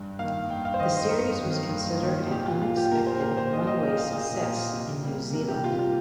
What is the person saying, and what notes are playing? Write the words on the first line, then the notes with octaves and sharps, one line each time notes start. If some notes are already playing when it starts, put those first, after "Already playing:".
The series was considered "an unexpected runaway success" in New Zealand.
Already playing: G2
D#3 A#3 F5
G2 G5
F5
C5
D#3 A#3 D#5
C5
G2 A#4
D#3 A#3
G2
D#3 A#3
A#2 G4
F4
A#3 F4
G4
A#2 A#4
C5
A#3 A#4
C5
A#2 D#5
D#5
A#3
F5
A#2 D#5
A#3
C3
G3 A#3
C3 A#4
G4
G3 A#3 F4
F4